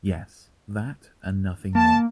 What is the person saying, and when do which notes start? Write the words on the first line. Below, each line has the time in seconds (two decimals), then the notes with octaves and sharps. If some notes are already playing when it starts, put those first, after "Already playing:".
Yes. That, and nothing more.
1.75 A#3 A5